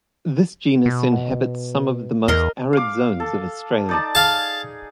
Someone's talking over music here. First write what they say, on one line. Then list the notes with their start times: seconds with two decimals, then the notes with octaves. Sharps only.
This genus inhabits some of the most arid zones of Australia.
0.86 B2
2.28 E2 A#4 D#5 C6
2.73 F5 D6
3.20 A4
3.89 D#4 D5 A5
4.15 G#4 F5 A5